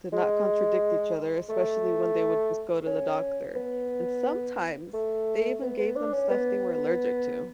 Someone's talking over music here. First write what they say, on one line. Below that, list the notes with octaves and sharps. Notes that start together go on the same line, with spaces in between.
did not contradict each other, especially when they would just go to the doctor. And sometimes they even gave them stuff they were allergic to.
G#3
A3
C#4
B3
A3
B3
B3
D4
C#4
B3